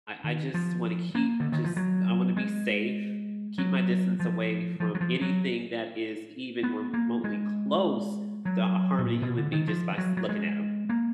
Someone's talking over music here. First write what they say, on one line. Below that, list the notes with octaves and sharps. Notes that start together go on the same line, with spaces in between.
I I just wanna keep, just I wanna be safe, keep my distance away from anything that is even remotely close to harming human being just by s looking at ‘em.
D#3
F3
A#3
D3
D#3
F3
F#3
G#3
F#3
F3
F3
F#3
F3
F#3
B3
A#3
G#3
F#3
B2
A#2
B2
D3
D#3
F3
F#3
F#3
G#3
A#3